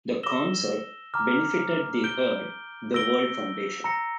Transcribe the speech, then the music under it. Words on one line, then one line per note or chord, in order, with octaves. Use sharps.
The concert benefited the Heard the World Foundation.
E6 A#6 E7 G7
A#5 D6 F6
G6 D7 G7
E6 A#6 D7 G7
A#5 E6 A#6 C#7